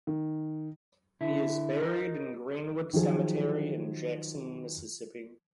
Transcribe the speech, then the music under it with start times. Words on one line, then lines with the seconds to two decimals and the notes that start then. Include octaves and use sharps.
He is buried in Greenwood Cemetery in Jackson, Mississippi.
0.07 D#3
1.21 D3 E4
1.82 D#4 A#4
2.93 D#3 F3 F#3 G#4